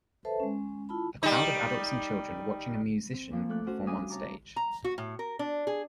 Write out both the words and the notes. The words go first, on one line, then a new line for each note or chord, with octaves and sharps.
A crowd of adults and children watching a musician perform on stage.
A4 B4 C5 E5 A5
G#3 C#4
E4 F4 A5 B5
G3 D#4
C4
A#2 F3 A#3
A3 A4 D6 F#6
C#4 F#4 C5
G2 C#4 D4 G#5 D#6
C3 C#5 A5 A#5 D6
A#5
F#4
A2
A#4
D4
G#4